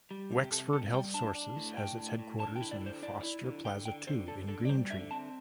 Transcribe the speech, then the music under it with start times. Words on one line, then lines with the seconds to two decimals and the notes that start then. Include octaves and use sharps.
Wexford Health Sources has its headquarters in Foster Plaza Two in Green Tree.
0.11 G3
0.31 C3
0.40 G4
0.52 C3 A4
0.73 C3 A4
0.93 G3 G5
1.14 D4 A5
1.35 D4
1.56 A2
1.77 D4 G5
1.98 A2
2.19 A2
2.40 D3 A5
2.56 G5
2.61 E4
2.71 D5
2.81 D3
2.86 C5
3.03 E4 D5
3.23 E4
3.44 D3
3.65 D3 G5
3.86 D3 G5
4.07 D3 C5
4.28 D3 A4
4.48 D3 A4
4.65 D5
4.69 G3 C5
4.90 D3 E5
5.11 C4 A5